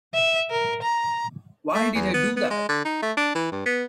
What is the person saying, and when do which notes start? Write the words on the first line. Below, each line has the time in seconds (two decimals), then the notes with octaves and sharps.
Why did I do that?
0.14 E5
0.50 A#4
0.82 A#5
1.75 A3
1.95 E2
2.14 B3
2.37 B3
2.50 G#3
2.69 D3
2.85 D#4
3.03 A3
3.17 D4
3.35 E3
3.52 G2
3.66 B3